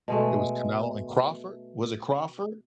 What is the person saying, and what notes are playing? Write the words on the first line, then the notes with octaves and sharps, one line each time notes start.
It was Canelo and Crawford? Was it Crawford?
B2 G#3 A3